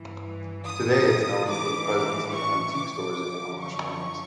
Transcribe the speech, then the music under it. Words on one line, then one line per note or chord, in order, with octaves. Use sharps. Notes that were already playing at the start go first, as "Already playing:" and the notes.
Today it is known for the presence of antique stores and Amish farms.
Already playing: G2 E3
D#6
A2 E3 D6
C#6
D6
F#2 D3 F3
C#6